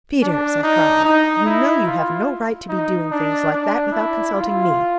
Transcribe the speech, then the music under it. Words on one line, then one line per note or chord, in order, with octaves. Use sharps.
'Peters,' I cried, 'you know you have no right to be doing things like that without consulting me!
D4
D#4
D#4
E4
F4
D#4
D4
D4
E4
F4